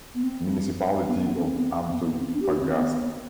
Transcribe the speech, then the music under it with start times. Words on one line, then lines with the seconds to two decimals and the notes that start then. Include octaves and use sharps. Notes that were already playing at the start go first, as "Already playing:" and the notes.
Municipality of Antofagasta.
0.15 B3
0.24 C4
1.08 B3
1.22 B3
1.36 C4
1.49 C4
1.57 B3
1.64 C4
1.92 B3
2.05 B3
2.20 C4
2.34 D4
2.42 G4
2.48 F#4
2.62 C4
2.76 B3